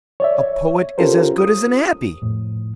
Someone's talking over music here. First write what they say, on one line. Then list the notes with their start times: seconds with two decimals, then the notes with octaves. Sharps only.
A poet is as good as an abbe.
0.20 C#5 D5 E5
0.39 C#5
0.98 C#4 F4 G4 A4 A#4 C5
1.38 D#6
2.22 F2 A2